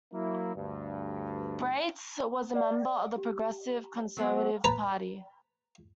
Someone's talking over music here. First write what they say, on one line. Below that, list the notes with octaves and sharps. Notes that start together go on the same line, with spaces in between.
Baetz was a member of the Progressive Conservative Party.
F#3 A#3 E4
D2 G2
D5 F#5
G4
F#3 B3 C4
B4 A5 A#5